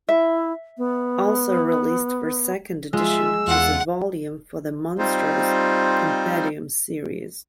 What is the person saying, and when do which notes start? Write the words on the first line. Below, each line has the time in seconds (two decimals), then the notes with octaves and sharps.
Also released for second edition was a volume for the "Monstrous Compendium" series.
0.09 E4 E5
0.78 B3
2.93 G#3 F4 E5 E6
3.47 E2 F4 F#5
4.98 G3 C4 D#4 F4 C5